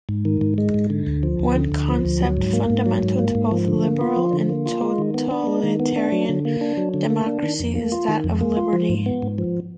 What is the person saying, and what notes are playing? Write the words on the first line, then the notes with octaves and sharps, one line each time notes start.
One concept fundamental to both "liberal" and "totalitarian" democracy is that of liberty.
G#2
D#3
G#2
G#3
G#2
D3
D2
F3
D2
D3
D2
F3
D2
F#3
G#2
A#3
G#2
F#3
G#2
A#3
G#2
F3
D3
A#3
F4
F3
D3
A#3
F4
G#3
D#3
B3
D4
G#3
D#3
B3
D4
F#3
D3
A#3
D4
F#3
D3
A#3
D4
D#3
F2
A#3
F4
D#3
F2
A#3
F4
F3
G#2
B3
G#2
F3